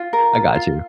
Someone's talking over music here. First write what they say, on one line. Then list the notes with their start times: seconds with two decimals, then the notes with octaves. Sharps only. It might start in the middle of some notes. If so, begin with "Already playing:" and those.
I gotchu."
Already playing: F4
0.13 A#4
0.34 F4
0.55 F4